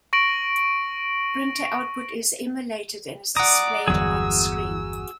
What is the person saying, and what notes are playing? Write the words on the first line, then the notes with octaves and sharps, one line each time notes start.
Printer output is emulated and is displayed on screen.
C#6 A#6 D7 F#7
D5 F#5 A#5 D6 D#6
G1 E2 F#3 F#4 G#4 E6